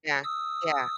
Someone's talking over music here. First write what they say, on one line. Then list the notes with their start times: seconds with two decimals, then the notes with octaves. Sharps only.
yeah, yeah.
0.24 D#6 E6